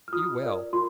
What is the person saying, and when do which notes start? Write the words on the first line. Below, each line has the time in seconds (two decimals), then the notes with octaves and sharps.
You will.
0.08 F6
0.13 F4 D#6
0.43 A#4 D5
0.73 F4 C6